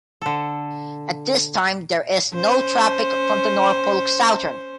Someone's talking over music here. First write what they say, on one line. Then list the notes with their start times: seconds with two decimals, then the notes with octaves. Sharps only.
At this time there is no traffic from the Norfolk Southern.
0.21 D3 A4
2.33 C#4 C5